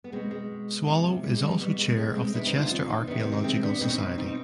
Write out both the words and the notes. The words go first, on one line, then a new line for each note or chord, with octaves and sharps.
Swallow is also Chair of the Chester Archaeological Society.
B3
B2 G#3 C4
G#3
C3 F3
G3
G#3
G3 B3
B2 G3
G#3
G#3 C4
G#3 C4
C3 D#3 B3 D4
C4 D#4
D4 F4
C4 D#4
C4 D#4
C3 D#3 B3 D4
C4 D#4
C4 D#4
G#3 C4
B3 D4
B2 C4 D#4
C4 D#4
C4 D#4